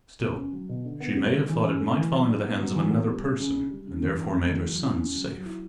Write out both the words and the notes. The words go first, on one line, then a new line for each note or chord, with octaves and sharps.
Still, she may have thought it might fall into the hands of another person, and therefore made her son safe.
B2
C#4
F#3
B2
D3
B3
G3
D3
E3
C#4
A3
E3
F#3
D4
B3
F#3
E3
B3
G3
D4
C#3
D4
G3
C#3
E3
D4
A3
E3
F#3
E4
C#4
F#3
F#3
E4